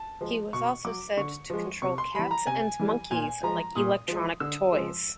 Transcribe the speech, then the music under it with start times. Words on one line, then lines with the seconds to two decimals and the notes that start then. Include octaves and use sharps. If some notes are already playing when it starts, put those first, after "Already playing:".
He was also said to control cats and monkeys like electronic toys.
Already playing: A5
0.21 F3 G#3
0.53 B2 C#6
0.85 F#3 D6
1.17 D3 C#6
1.50 F3 G#3
1.82 C3 C#6
1.98 C6
2.14 E3 G3 B5
2.31 A#5
2.47 C3 G#5
2.79 E3 G3
3.11 A#2 G#5
3.43 F3 G#3 A#5
3.76 A#2 D#6
4.08 F3 G#3
4.40 D3 E6
4.72 F3 G#3